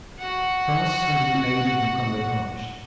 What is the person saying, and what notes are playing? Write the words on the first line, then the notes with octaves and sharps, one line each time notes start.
Pass under the aged and crumbling arch.
F#4 F#5